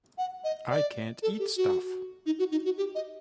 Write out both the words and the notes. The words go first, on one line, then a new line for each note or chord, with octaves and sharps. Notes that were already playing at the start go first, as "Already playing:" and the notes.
I can't eat stuff!
F#5
D#5
D5
A4
G4
F#4
D#4
F#4
D#4
F#4
G4
D#5